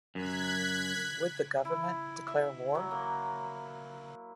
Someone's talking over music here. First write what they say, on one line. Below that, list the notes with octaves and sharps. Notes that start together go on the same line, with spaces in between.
Would the government declare war?
F#2 F#6 G#6 B6
E4
E5
F#3
A#3